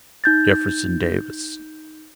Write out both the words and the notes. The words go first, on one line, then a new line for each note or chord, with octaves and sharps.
"Jefferson Davis."
D#4 G6 A6